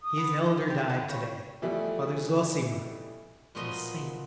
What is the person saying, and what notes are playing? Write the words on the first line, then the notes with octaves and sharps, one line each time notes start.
"His elder died to-day, Father Zossima, the saint."
D#6
B3
B2 D6
C3 G4 G5
D3 E3
C#3 C#5
B2 E3 F3 G3 A3
A#2 F3 B3 F#4 D#5 C6